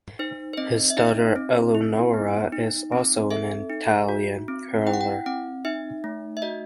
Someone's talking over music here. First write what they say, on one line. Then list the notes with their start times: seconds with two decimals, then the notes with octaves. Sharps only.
His daughter Eleonora is also an Italian curler.
0.19 D#4 C5
0.53 C5
0.57 C4 D#5
0.90 E5
0.97 D#4 D#5
1.36 C4
1.75 E4
2.14 B3
2.52 D#4
2.92 C4
3.31 A4 E5
3.70 D#4
4.09 F#4
4.48 C4
4.86 E4 G5
4.94 F#5
5.01 G5
5.26 C4 F#5
5.65 D#4 E5
6.04 A3
6.37 E5
6.42 F#4 D#5